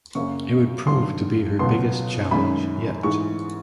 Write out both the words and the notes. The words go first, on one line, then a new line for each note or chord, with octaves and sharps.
It would prove to be her biggest challenge yet.
F#2 C#3 F#3 A#3 C#6
G2 D#3 F#3 C6
C#2 B2 F#3 B3 C6
F#2 D#3 G#3 C#4 B5
G#2 E3 G#3 C#6